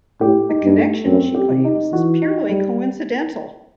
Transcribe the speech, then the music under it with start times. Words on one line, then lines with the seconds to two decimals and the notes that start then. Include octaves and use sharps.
The connection, she claims, is purely coincidental.
0.21 A2 G4
0.49 D#4
0.63 G2
0.77 A3
1.06 F#2 C4
1.35 G4
1.50 C3
1.64 D#4
1.92 E3 F#4
2.22 D#4
2.49 G3